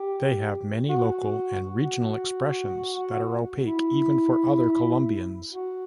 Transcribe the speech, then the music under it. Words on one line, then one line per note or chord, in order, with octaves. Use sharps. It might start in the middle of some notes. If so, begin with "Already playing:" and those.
They have many local and regional expressions that are opaque even for other Colombians.
Already playing: G4
F#4
F#4
E4
F#4